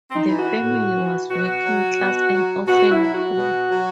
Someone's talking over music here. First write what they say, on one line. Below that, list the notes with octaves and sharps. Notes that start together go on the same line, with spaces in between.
The family was working class and often poor.
C4
D#4
E3
F#4
A2
E3
B2 F#4
F#3
B2
F#3
B2 F#4
E4
F#3
F#4
B2
F#3